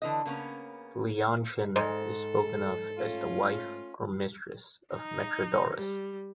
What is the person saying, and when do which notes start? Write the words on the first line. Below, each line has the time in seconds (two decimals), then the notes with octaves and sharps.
Leontion is spoken of as the wife or mistress of Metrodorus.
0.02 D3 E3 D#5
0.25 C#3 A#3 B3 C#4
1.76 G#2 A4 C5 D5 G#5
2.97 A3 C#4 F4
4.94 D#4
5.74 G3